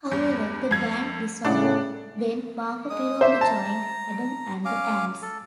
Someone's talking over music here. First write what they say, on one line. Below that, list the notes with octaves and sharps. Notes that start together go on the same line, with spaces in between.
However, the band dissolved when Marco Pirroni joined Adam and the Ants.
E2 G2
F2 G#6
A2 C#3 D4 D5 F#5
G#3 D#6
A#3 C5 E5
A5 A#5
C#4 F5 D6
A4